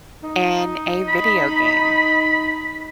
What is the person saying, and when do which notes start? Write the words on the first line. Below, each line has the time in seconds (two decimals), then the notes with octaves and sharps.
in a video game.
0.23 D#4
1.08 B5